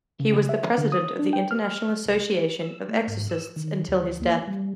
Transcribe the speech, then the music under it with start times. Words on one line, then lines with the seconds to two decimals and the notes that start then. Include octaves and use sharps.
He was the president of the International Association of Exorcists until his death.
0.20 C#3
0.49 E5
0.78 D3
0.92 D#6
1.19 D4
1.33 G5
1.51 F6
2.06 C2
2.61 E6
2.89 A3
3.08 G#2
3.29 E6
3.56 D#3
3.88 D2
4.21 A#3
4.47 G3